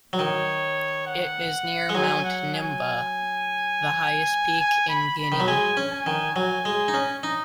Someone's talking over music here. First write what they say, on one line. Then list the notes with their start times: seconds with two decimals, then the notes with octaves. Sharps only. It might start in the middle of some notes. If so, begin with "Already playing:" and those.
It is near Mount Nimba, the highest peak in Guinea.
0.13 F#3
0.19 D#3 C#5
1.07 F#5
1.89 G#3
1.95 F#3 G#5
2.25 F#5
2.55 G#5
4.60 G#5
4.89 B5
5.19 B5
5.32 D#3
5.40 F#3
5.47 G#3 G#5
5.77 C#4
5.92 G#5
6.06 D#3
6.35 F#3 G#5
6.65 G#3
6.88 D#4
6.94 C#4
7.23 D#4